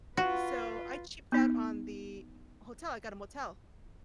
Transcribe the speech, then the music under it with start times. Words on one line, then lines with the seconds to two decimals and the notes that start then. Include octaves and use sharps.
So I cheaped out on the hotel. I got a motel
0.17 F4 F#4 B4
1.32 B3 D#4